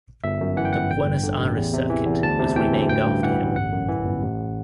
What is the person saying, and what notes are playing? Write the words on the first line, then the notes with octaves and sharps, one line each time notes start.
The Buenos Aires circuit was renamed after him.
G1 E5
F#2
E3 F#5
G5
G1 F#5
A1 G5
G2
D3
A1
E2
C3
E3
E2
D2 A5
C3
E3 G5
D2
A1 G5
G2
E3 F#5
A1
G1 F#5
F#2
E3
G1
A1